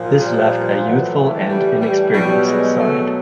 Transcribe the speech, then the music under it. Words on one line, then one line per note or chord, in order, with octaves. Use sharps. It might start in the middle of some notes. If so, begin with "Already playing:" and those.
This left a youthful and inexperienced side.
Already playing: A#2 F3
G3
A2 E3 F#3
G3
G3
B2 F#3 G3
G#3
A3